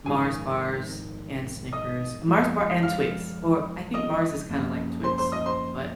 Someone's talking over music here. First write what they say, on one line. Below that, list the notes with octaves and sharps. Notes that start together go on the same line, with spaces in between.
Mars bars and Snickers. Mars bar and Twix. Or I think Mars is kinda like Twix, but
A#1 G#2 D#3 G#4 G#5
D#5 D#6
F#1 F#2 F3 G#3
F5 F6
D#5 D#6
F#2 F3 A#3 C#4
C5 C6
C5 C6
D#5 D#6
C5 C6